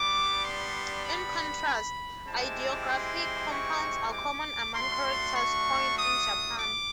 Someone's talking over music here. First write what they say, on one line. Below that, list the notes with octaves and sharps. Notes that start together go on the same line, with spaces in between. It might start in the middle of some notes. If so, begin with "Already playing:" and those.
In contrast, ideographic compounds are common among characters coined in Japan.
Already playing: G3 B3 D4 D6
C6
B5
G#3 C4 E4 G4 A5
C6
C#6
D6
A3 D4 F#4 C6
C#6
D#6
D6